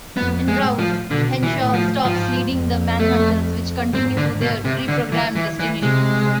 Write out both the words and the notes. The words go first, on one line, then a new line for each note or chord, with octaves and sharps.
En route, Henshaw stops leading the Manhunters which continue to their preprogrammed destinations.
F2 B3
G#3
A2
F3
B2 D3
E3
A2
F3
G#2 F3
F2
A3
G#2 C4
D3
B2
C3
D3
E3
E3
E3
C3 G#3